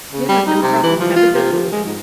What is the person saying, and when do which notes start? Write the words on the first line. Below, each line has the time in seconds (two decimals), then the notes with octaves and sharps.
Yeah, no problem, have a good one.
0.13 C#3
0.28 G3
0.47 D#4
0.62 C3
0.83 E3
1.00 F3
1.16 F4
1.34 C3
1.53 F3
1.72 G#3
1.85 G#2